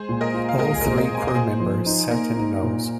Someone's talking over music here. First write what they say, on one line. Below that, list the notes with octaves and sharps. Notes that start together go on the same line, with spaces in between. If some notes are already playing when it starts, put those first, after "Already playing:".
All three crew members sat in the nose.
Already playing: G#3 G#4 C5
A#2
A#4 D#5
F4
F5
G#3 A#4 D#5
G#4
A#4
A#2
C5
A#4 D#5
A#2
G#5
F5
D#5
A#2 G#4 C5
F3
D#4
A#3 A#4
D#4
A#2